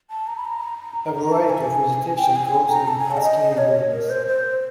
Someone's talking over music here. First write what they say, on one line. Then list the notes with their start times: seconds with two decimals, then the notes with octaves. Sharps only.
A variety of vegetation grows in Hells Canyon Wilderness.
0.10 A5
0.27 A#5
0.37 B5
0.45 A#5
1.14 A#5
1.31 A5
1.49 G#5
2.18 G5
2.35 G#5
2.70 A#5
2.88 A5
2.99 G#5
3.11 A5
3.17 D5
3.22 D#5
3.57 C#5
3.92 A#4
4.09 C5
4.27 C5